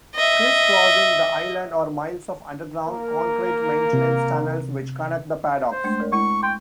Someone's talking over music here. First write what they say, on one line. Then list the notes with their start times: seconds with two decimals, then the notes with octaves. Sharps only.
Criss-crossing the island are miles of underground concrete maintenance tunnels which connect the paddocks.
0.16 D#5 E5
2.88 A#3 A#4
3.93 C3
5.72 C5
5.84 G#3 A3 D4
6.00 D2 A#4 C#5
6.12 G#3 E4 C#6
6.43 G5 C6 C#6